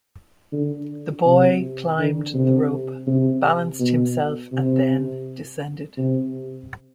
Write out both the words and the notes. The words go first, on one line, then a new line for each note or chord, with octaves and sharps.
The boy climbed the rope, balanced himself and then descended.
D3
C3
D3
C3
C3
B2
C3
C3